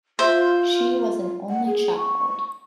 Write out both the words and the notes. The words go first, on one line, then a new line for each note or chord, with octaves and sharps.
She was an only child.
F4 C5 E5
F#5
G#4
C#6